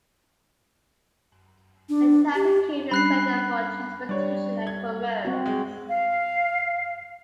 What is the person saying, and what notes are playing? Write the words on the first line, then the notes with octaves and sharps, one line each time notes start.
The town became a centre for transportation and commerce.
D4
G4
G3 C#4 D4 B5 F#6 C7
G3 D4 C#5
G#6
C4 F#4
G#3
F5